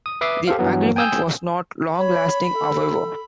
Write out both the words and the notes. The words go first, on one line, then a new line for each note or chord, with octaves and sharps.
The agreement was not long-lasting, however.
D#6
B4 E5 D6 D#6 C7
G4 A4 C5 F5
G2 E3 F#3 B3
G5 G#5 D#6 E6 G6
C#5 B5
A4